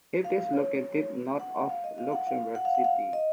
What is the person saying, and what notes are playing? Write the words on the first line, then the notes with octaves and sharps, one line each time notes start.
It is located north of Luxembourg City.
F5
C#5
F#5
F5
D#5
F5
F#5
F5
F#5
F5
F#5
F5
D#5